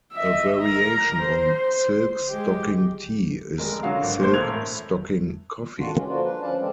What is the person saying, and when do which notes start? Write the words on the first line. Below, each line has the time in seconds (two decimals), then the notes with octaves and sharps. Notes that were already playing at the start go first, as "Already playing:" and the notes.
A variation on "silk stocking tea" is "silk stocking coffee".
0.13 D#5 E5
0.61 A#4 A#5
1.20 C5
2.30 G#3 G4
3.58 F1 G#3 A#4
3.83 D3 F#3 F#4 F5
4.02 G#1
4.20 A#2 A3 C5 G6
4.34 E1 F#6 G#6 F7
4.50 A2
5.79 D3 D#3 D4 F4 F#4
5.96 D2 G2 D3 E3 G#3 C#4
6.07 D3 F3 G3 A#3 F4 F#4
6.24 D4 B4
6.42 D2 F3 C#4 D5 F5 A5
6.58 D3 E3 G3 G#3 C4